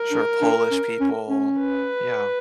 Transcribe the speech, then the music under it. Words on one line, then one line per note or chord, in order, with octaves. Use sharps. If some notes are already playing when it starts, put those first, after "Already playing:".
Sure. Polish people. Yeah.
Already playing: A#4
D4
D4
C#4
C#4
C#4
B4